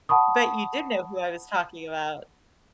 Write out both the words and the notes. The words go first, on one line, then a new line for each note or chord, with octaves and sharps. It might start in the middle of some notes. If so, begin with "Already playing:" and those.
but you did know who I was talking about.
F#5 A5 B5 C#6 D#6